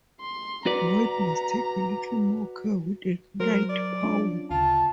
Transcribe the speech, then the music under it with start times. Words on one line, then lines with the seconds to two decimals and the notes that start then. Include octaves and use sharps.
White must take a little more care with a knight pawn.
0.21 C6
0.66 F#4 B4 D5 A#5
3.40 F#3 A#4 C5
3.69 D5
4.04 C#4 D4 F4
4.51 D2 C#3 F4 A5